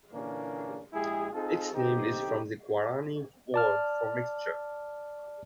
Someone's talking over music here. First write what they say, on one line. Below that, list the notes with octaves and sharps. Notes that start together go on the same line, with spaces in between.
Its name is from the Guarani word for mixture.
A#2 D3 E3 A#3 C#4 D4
A#1 G#3 E4 G4 G#4
C4 D#4 F4 G#4 A4
B1 D3 C4 D#4 G4
D5 A5 F6